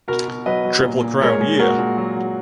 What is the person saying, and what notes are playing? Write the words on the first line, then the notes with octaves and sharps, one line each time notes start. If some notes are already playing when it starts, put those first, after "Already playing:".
Triple Crown year.
B2 F#4 A#4
B2
F#3 B4 D#5
F#3
A#2
A#2
G#3 A#4 C#5
G#3
A#2 F#4 A#4
A#2
F#3
F#3